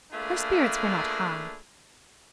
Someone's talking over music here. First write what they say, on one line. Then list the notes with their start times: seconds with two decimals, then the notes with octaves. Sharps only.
Her spirits were not high.
0.12 A3 A#3 D4 F4 G#4 B4